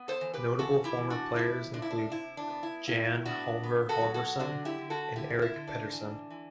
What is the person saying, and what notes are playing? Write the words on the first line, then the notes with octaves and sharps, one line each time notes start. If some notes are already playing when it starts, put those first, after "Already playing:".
Notable former players include Jan Halvor Halvorsen and Erik Pedersen.
Already playing: B3
A4 C5
E3
G4 B4
E3 F#4 A4
E4 G4
E3
D4 F#4
C3 E4
C3 D4
E4
D4
C3 E4
D4
B3
E4
A2 E4
B3 D4 F#4
B3
F#4 A4
F#3
F#4 A4
D3 D4 F#4
E4 G4
D3
F#4 A4
D3 E4 G4
E4
D3
D4
E3
E3